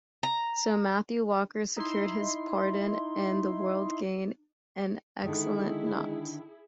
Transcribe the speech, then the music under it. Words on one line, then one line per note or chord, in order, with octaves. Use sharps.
So Matthew Walker secured his pardon, and the world gained an excellent knot.
A#5
D#4 E4 C6
D3 D#3 G#3 E4 G#4